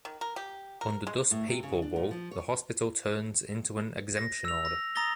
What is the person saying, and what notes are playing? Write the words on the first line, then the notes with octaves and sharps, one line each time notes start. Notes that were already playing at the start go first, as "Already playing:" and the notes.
Under thus papal bull, the Hospital turns into an exemption Order.
D#3
A#4
G4
A#4
G#3
A2
C3
C#3
D4
A#2
F3
C#5
A#6
E6 F7
A#6
A#5 D#6 A6 A#6 G7